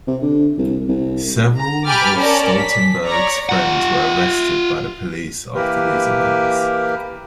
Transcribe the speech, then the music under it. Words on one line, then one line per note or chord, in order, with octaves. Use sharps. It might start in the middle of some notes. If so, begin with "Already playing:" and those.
Several of Stoltenberg's friends were arrested by the police after these events.
C3
D3
C2
C2
A#5
G4 G#5 B5 D6 F6 A6
C#4 A#4 D5 A5
B6
C#5 D5 A#5
F4 F#5
E3 A#3 G4 A#4 B4